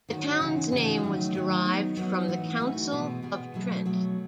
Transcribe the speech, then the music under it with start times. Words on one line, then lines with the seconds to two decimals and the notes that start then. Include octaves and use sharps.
The town's name was derived from the Council of Trent.
0.09 D#3 A3 C#4 F#4
0.40 C#3 E3 G#3 D#4 F#4
0.71 C#3 E3 G#3 D#4 F#4
1.03 D#3 F#3 A3 D#4
1.35 D#3 F#3 A3 D#4
1.65 F#3 B3 D#4 F#4
1.97 F#3 B3 D#4 F#4
2.28 E3 A3 D#4 F#4
2.59 E3 A3 D#4 F#4
2.91 B2 G#3 B3
3.23 B2 G#3 B3
3.54 B2 F#3 A3
3.85 B2 F#3 A3